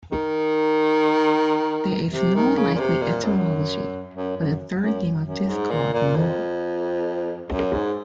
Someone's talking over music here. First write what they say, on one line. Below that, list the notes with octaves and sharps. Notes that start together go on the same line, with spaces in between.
There is no likely etymology for the third name of this god, Maju.
D#3
C3
D#3
C#3
A#2
C3
A#2
F#2
F#2
F#2
F#2
F#2
G#2
A#2
A#2
F2
F#2
G#2